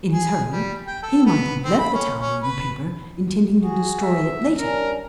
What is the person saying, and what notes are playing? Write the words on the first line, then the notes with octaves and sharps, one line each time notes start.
"In his hurry he might have left the towel in the paper, intending to destroy it later."
G#4
G3
G5
A4
B3
C4
B5
C#4
C#4
B4
F#4 G#4
E5
G3 C#4 D4 A#4